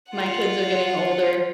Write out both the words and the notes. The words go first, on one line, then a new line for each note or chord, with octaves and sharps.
my kids are getting older,
F4 F#5